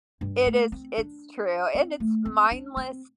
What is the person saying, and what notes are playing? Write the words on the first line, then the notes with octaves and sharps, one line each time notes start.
It is it's true, and it's mindless.
G2
A3
C4
D4
C4
A3
C4
D4
C4